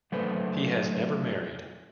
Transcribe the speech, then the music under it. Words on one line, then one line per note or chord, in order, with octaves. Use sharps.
He was never married.
D3 F#3 A3 B4 C5